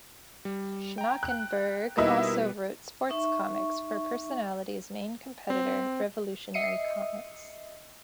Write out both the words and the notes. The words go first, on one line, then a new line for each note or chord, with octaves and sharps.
Schnakenberg also wrote sports comics for Personality's main competitor, Revolutionary Comics.
G3
G5 A#5
F#6
B2 G3 A#3 D#4 E4 B4
D#4 E5 C#6
C4
D#5 E5 C7 C#7 D#7